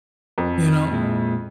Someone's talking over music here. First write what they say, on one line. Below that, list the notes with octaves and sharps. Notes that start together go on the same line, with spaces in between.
You know
F2
A#2 G#3 E4